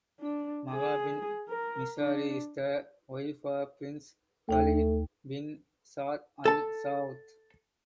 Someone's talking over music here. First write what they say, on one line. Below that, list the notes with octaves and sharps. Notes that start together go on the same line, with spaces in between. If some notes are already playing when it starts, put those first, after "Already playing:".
Maha bint Mishari is the wife of Prince Khaled bin Saad Al Saud.
D4
G#4
A#4
D4
D#2 A3 D#4 G5
A4 A5